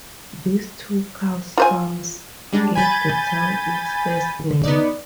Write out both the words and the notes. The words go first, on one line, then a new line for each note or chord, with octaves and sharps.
These two cow farms gave the town its first name.
F4 C5 G#5
G3 G#3 D4
G#5 B5 G6 A6 D#7
B3 D#4 D5